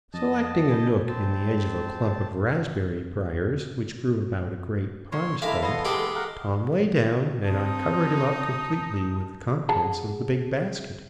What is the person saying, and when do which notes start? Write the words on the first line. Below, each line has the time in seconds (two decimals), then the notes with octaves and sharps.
Selecting a nook in the edge of a clump of raspberry briars which grew about a great pine-stump, Tom lay down, and I covered him up completely with the contents of the big basket.
0.14 F2 D#5 A5
0.70 G#5 B5 G6
1.07 C4 A5
1.49 G#3
5.12 A#2 C#5 C6
5.42 G#3 E4 A4 A#4 E5 F5 D6
5.62 E3 B3 D#5 C6
5.85 E2 G#3 A#3 G4
6.16 A#4 F5 F#5
7.45 C4 D#4 A5 D#6
9.69 G#4 F#5 A5 A#5